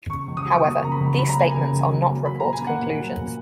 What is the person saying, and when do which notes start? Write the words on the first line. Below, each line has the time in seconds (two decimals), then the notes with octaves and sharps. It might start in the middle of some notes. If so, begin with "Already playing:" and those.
However, these statements are not report conclusions.
0.10 C#3 C#6
0.27 C#2
0.37 D#6
0.45 F#3
0.52 C#6
0.64 A#3 D#6
0.83 C#3 A#5
0.92 B5
1.00 C#2
1.18 F#3 B5
1.29 A#5
1.37 A#3 G#5
1.51 C#3 A#5
1.73 C#2
1.90 F#3
2.08 A#3
2.26 F#3 B5
2.40 A#5
2.45 A#2
2.53 G#5
2.62 A#3
2.67 F#5
2.81 A#2
2.98 F#3
3.16 A#2